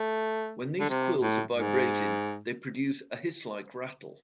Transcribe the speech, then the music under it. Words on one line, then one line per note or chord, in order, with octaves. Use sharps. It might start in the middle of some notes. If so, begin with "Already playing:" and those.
When these quills are vibrated, they produce a hiss-like rattle.
Already playing: A3
D3
C3
A2
G#2